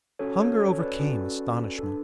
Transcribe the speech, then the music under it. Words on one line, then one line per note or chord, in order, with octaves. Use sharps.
Hunger overcame astonishment.
C#4 F#4 A4 C#5
A4 C#5
A4 C#5
B4 D5
C#4 F#4 A4
D4 A4